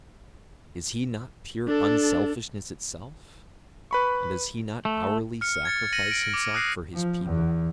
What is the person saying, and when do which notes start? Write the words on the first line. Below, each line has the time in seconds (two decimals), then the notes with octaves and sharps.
Is he not pure unselfishness itself, and does he not hourly sacrifice himself for his people?
1.67 D4 A4
3.91 B4 B5 C#6
4.85 A3
5.41 F6 C#7
5.65 G#6 A6 C#7
5.93 A#6 C#7 D#7 F#7
6.11 D7
6.34 D6
6.54 D#6 F#6 A#6 C7
6.93 F3
7.25 E2